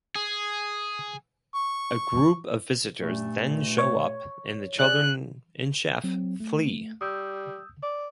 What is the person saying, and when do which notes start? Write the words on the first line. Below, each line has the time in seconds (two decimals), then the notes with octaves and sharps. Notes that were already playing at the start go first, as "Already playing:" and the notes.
A group of Visitors then show up, and the children and Chef flee.
0.16 G#4
1.55 C#6
3.02 G2 A#2 A3
3.78 C#5
4.79 G#4 D5 F#6
6.04 F#3 C4
6.40 A3
7.01 G3 D#6 E6 G6
7.82 D5